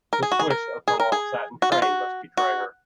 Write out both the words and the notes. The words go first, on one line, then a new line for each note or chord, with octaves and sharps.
The swish of her long satin train must betray her.
A#4
G#4
F#4
G#4
A#4
G#4
A#4
G#4
F#4
F4
F#4
F#4